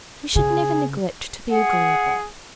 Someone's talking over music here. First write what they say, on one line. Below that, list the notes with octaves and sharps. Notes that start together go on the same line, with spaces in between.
We should never neglect to be agreeable.
C#3 G#4
G#4 F#5